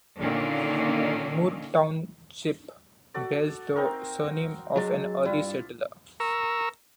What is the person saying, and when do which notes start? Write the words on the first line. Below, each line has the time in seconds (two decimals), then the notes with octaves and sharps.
Moore Township bears the surname of an early settler.
0.20 A#2 D3 D#3 A#3 C#4
3.14 F#4 A4 D5
3.76 C4 D#4 A#4
4.76 F#3 G#3 D4 A5
5.25 G2 E4 F4
6.20 A#4 A#5 C#6 E6